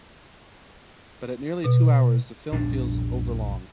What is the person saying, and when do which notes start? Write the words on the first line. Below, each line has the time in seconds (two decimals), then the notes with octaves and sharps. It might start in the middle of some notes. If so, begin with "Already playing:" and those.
But at nearly two hours, the film feels overlong.
1.64 B2
2.52 A#1 E2 G2 D4